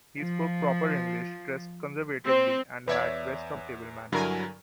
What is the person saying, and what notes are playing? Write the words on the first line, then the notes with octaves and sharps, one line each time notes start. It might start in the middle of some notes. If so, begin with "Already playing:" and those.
He spoke proper English, dressed conservatively, and had the best of table manners.
F3
C4
E2 B4 C#5 D5 E5 G#6
G2 D3 F#3 E4 A#4 G#5